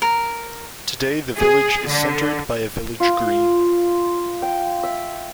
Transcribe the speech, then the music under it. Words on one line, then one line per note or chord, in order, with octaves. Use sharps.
Today the village is centred by a village green.
A#4
G#4
D3
F4
G5
E5